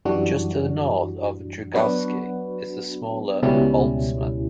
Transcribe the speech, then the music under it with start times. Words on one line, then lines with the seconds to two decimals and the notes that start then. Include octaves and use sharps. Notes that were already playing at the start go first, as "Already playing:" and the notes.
Just to the north of Drygalski is the smaller Boltzmann.
0.05 F#2 E3 G3 D4 F#4
1.74 F#3 B3 D4 F#4 B4
3.43 C#2 B2 G3 C#4 E4